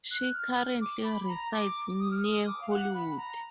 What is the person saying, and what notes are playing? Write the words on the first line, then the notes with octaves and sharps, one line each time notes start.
She currently resides near Hollywood.
F#6
F6
D6
B5
A#5
D6
D#6
F6
D#6
D6
F5
F#5
B5
A#5